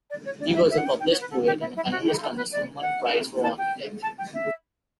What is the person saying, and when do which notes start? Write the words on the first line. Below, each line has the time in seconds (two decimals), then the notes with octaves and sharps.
He was a published poet and a panellist on the Sulman Prize for Architecture.
0.10 D5
0.25 C#5
0.40 D5
0.54 E5
0.70 E5
0.77 F#5
0.85 G5
0.99 G5
1.11 C#5
1.20 B4
1.31 A4
1.46 G4
1.60 E4
1.75 E4
1.90 F#4
2.06 G4
2.21 A4
2.36 B4
2.51 D5
2.81 F#5
3.43 A5
3.58 G5
4.02 A5
4.18 G5
4.33 E5